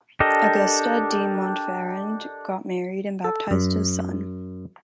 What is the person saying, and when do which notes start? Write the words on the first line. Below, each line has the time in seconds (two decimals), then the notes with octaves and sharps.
Auguste de Montferrand got married and baptized his son.
0.20 D4 G4 A4 A#4 D#5
3.24 A4
3.51 F#2